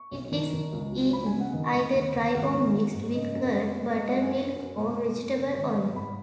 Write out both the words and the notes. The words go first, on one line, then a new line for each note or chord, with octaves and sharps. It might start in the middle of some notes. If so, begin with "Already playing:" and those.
It is eaten either dry or mixed with curd, buttermilk or vegetable oil.
Already playing: C#6
B1
D#3
D#3
C#2
F#3
C#3 B5
G#5
C#3
F#5
D#3 D#5
D#2
D#2
D#2
G#1 F#5
D#3
F#3
G#2
C#3 D#5
F#2
B3
B3
G#3 D#5
F#5
F#2
G#5
B3
F#2
B2
B2
F#2
C#3
G#1
B3
G#2 B5